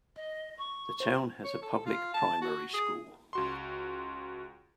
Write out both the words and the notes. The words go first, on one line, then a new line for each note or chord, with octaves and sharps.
The town has a public primary school.
D#5
C#6
C5
C#5
A4
F4
A5
F#4
G#4
C#2 F#4 C6